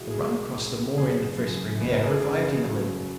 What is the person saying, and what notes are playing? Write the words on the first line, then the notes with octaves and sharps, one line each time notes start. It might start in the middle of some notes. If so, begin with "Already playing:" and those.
The run across the moor in the fresh spring air revived him a little.
Already playing: E1 D#3 E4 F#4 G#4
G#4
E1 A#4
E1
F#1 G#4
F#2
F#1 B4
A#4
G#4
A#4
C#3
F#3